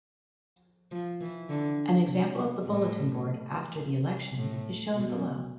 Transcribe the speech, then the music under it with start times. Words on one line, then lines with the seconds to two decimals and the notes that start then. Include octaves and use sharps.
An example of the bulletin board after the election is shown below.
0.91 F3
1.21 E3
1.49 D3
2.06 C3
2.35 B2
2.64 A2
4.37 A2
4.94 B2